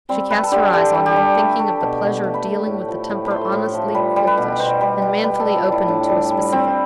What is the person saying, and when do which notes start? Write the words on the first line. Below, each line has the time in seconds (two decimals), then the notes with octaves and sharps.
She cast her eyes on him, thinking of the pleasure of dealing with a temper honestly coltish, and manfully open to a specific.
0.09 G3 C4
0.30 G3 B4
0.43 A4
0.51 D3 G4
0.73 D3 G4
0.95 G3
1.06 G4
1.16 G3
1.38 A3
1.59 A3
1.81 B2
2.03 B2
2.24 A3
2.34 B4
2.44 A3
2.66 A2
2.88 F3
3.09 A2
3.26 A3 B4 C5
3.52 A2
3.74 F3
3.95 G3 B4
4.16 G3
4.27 B4
4.37 B2
4.59 B2 C5
4.81 G3 B4
5.02 G3 B4
5.23 G3 B4
5.40 A4
5.45 G3
5.56 F4
5.66 A2
5.72 E4
5.88 A2 D4
6.09 G3
6.31 G3
6.52 G3 C4